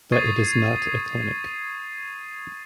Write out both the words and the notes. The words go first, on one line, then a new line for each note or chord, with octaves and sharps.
But it is not a clinic.
C#6 D#6 G#6 A6 C7 D#7